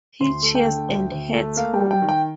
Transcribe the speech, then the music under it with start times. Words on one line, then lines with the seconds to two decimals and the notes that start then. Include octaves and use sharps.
He cheers and heads home.
0.21 D2 C6
0.43 A3
0.55 G5
0.66 D3
0.89 D2
1.11 D2
1.34 A3
1.57 A#3 F5
1.74 G5
1.79 G3
1.91 G5
2.02 D#3
2.09 G5